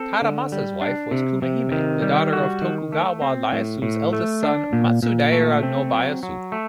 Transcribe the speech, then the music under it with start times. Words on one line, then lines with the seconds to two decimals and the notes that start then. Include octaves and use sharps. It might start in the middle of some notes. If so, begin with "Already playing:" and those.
Tadamasa's wife was Kumahime, the daughter of Tokugawa Ieyasu's eldest son Matsudaira Nobuyasu.
Already playing: C4 A4
0.22 D3
0.52 G3
0.81 D4
1.11 C3
1.42 C3
1.72 D#3
2.02 G3
2.33 F#4
2.62 D#3
2.92 A3
3.22 C4
3.52 A2
3.82 A2
4.13 A3
4.43 D4
4.73 A#2
5.03 A#2
5.32 A3
5.63 C4
5.93 F#3
6.23 F#3
6.52 A3